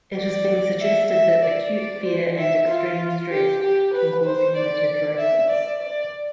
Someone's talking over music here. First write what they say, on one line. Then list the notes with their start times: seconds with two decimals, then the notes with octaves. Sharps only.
It has been suggested that acute fear and extreme stress can cause hematidrosis.
0.17 D5
0.81 E5
1.11 E5
1.43 D5
1.74 D5
2.06 C5
2.37 E5
2.68 F4
3.31 G4
3.62 G4
3.94 B4
4.25 C5
4.56 D5
5.18 E5
5.50 D5
5.82 D5